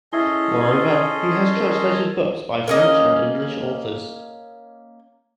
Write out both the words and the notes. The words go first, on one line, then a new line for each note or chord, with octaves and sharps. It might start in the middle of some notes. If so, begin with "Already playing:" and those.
Moreover, he has translated books by French and English authors.
C#4 E4 G#4 A4 D#5 E5 C6
A#4
A#3 C#4 D#5